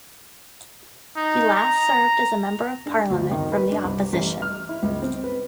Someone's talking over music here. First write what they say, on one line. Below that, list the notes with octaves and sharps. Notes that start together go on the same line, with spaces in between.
He last served as a member of parliament from the opposition.
D#4
A#5
D4
D2
D#3
B4
D4
C2
A1
F6
E4
C#2
C4
B4